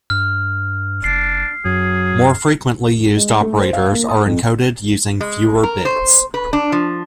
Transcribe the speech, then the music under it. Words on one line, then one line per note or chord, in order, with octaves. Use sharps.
More frequently used operators are encoded using fewer bits.
G2 F6
F#1 D4 C7
F#2 F#3 G#4
G#3
A3
C5
F5
A#3
D#6
F2
G#3
A#4
C5
B4
D4
F3